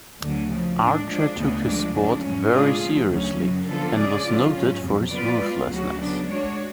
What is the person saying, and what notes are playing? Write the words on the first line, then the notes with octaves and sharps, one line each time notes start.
Archer took his sport very seriously and was noted for his ruthlessness.
D2 D3 F#3 A3
C#3 F3 A3
A2 G#3 D4
F3 G#3 D4
D2 C#3 G#3 B3
F3 G#3 D4
F2 C#3 G#3 D4
G#2 F#3 C#4
A2 G#3 D4 F4 G#4
C#3 F3 A3
D2 C#3 F#3 C#4
F#2 C#3 F#3
D3 F3 B3 F4 A4
C#3 G#3 C#4 G#4 D5
D3 F#3 C#4 F4
G#2 F#3 C#4
F2 C#3 F#3
F3 B3 F4 B4 D5
G#3 B3 F4
D2 C#3 F#3 C#4 F#4
C#3 F#3 B3 D4
G#3 D4 F#4 C#5